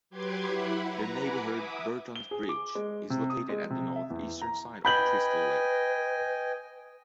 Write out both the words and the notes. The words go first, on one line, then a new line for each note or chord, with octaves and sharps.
The neighborhood Burtons Bridge is located at the north-eastern side of Crystal Lake.
F#3 G4 B4 C6 D6 G#6
E4 F#5 B5
B4 A#5
F#5 G#5 B5 D6
E5 D6 D#6
G7
G#4
D6
G#3
C3
D#6
G#3
C3
E5
E2
A#5
B4 D#5 G5 G#5 B5 G6 F#7